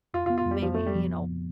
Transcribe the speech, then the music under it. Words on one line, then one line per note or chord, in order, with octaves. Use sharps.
maybe, you know,
F2 F4
F4
B3
F4
F2 G3
F2 F3
F2 A3
G3
F3